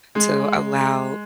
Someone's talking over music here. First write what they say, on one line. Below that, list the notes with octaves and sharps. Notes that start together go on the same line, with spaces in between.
to allow,
G#3